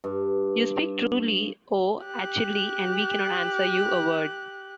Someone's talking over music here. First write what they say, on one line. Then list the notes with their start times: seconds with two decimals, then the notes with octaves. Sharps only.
You speak truly, O Achilli, and we cannot answer you a word.
0.04 G2
2.05 G4 F#6